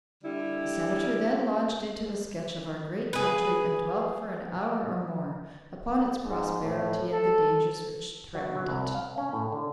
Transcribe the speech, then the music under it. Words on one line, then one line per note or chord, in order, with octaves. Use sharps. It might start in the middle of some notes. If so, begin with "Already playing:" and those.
The Senator then launched into a sketch of our great country, and dwelt for an hour or more upon its prosperity and the dangers which threatened it.
D3 G3 E4 G4
G#4 B4
G#2
A2
A4
F#3
F#3
C2
F5
C#4
A2
D3